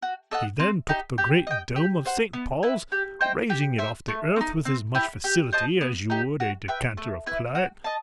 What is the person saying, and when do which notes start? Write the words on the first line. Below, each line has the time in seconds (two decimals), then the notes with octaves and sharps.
He then took the great dome of St. Paul's, raising it off the earth with as much facility as you would a decanter of claret.
0.02 F#4
0.31 A4 D#5 F#5
0.59 C4
0.89 D#4 G4
1.18 G4
1.47 D#5 G5
1.76 G4
2.05 C5 F#5
2.33 B3
2.63 E4 B4
2.92 G4
3.21 C5 D#5 G5
3.50 G4
3.78 C5 E5
4.08 A3
4.36 C4
4.41 D#4
4.65 C4
4.95 E4 G4
5.24 G4
5.53 C5 D#5 A5
5.81 B3
6.10 D#4 G4
6.40 F#4
6.68 B4 E5 G5
6.97 A3
7.26 E4 B4
7.55 F#4
7.84 D#5 A5